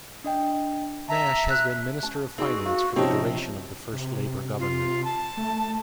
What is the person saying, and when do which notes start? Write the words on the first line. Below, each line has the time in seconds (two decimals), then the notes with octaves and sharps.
Nash had been Minister of Finance for the duration of the first Labour government.
0.24 D4 D#5 G5
1.09 E5 A5 A#5
1.50 F#6
2.03 C#4 A5
2.38 C4 D#4 F#4 G#4 D5 A#5
2.63 F#4 A#4 F5
2.96 C3 F3 C4 C#4 D#4 G4 C5
3.93 C3
4.60 F4
5.05 A5
5.37 A3